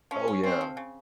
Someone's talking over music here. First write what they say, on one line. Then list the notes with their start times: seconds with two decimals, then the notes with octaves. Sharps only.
Oh, yeah.
0.11 F3 C#4
0.28 C#4
0.43 C4 C#4
0.61 F3
0.77 C#3